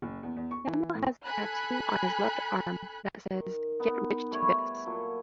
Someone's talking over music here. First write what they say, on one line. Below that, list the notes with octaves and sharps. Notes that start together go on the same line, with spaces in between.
Samuel has a tattoo on his left arm that says Get Rich To This.
F#1
E2
E2
C#6
E3
A2
A4 G#5 B5 F#6
D#3
B3 D#4
G3 A3 E4 C#5
A#2 F#3 A4